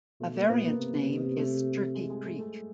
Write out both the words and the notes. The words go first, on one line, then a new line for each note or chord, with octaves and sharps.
A variant name is "Turkey Creek".
B2 A3
A#3
A#2 B3
A#3
C3
A3
G#3
G#3
A3
A3